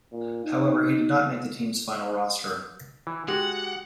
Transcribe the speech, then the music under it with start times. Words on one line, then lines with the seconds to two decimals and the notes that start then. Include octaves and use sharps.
However, he did not make the team's final roster.
0.12 A#2
0.44 D#4
3.07 E3
3.28 G#3 F#4 G4 F#5